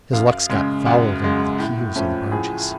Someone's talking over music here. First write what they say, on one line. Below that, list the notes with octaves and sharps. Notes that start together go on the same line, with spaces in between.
His luck's got fouled under the keels of the barges.
F#2 F5
C#3 G#3
F#2 F#5
C#3 G#3
A2
F3 A3 C#4
A2 G#4